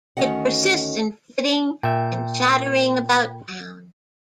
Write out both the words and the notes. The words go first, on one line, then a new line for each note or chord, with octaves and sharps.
It persists in flitting and chattering about town.
D2 D#3 C#4 F#4 D#5 F#5
A#2 E5 G5